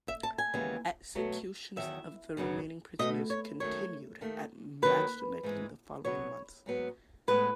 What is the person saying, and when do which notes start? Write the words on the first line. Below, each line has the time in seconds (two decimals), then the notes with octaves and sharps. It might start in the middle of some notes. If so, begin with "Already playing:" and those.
Executions of the remaining prisoners continued at Majdanek in the following months.
0.08 E5
0.23 A5
0.38 G#5
0.53 D#2 C#3 E3 G#3 B3
1.15 B2 F#3 A3
1.76 E2 D#3 F#3 E5
2.37 F#2 C#3 F#3 B3
2.99 B2 A3 D#5
3.30 C#5
3.60 F#2 D#3 A3 C#5
4.21 D#2 D#3 A3
4.82 D#2 D#3 F#3 B4
5.43 G#2 E3 G#3
6.05 B2 F#3 B3 C#5
6.66 G#2 F#3 B3
7.28 A2 G#3 B3 B4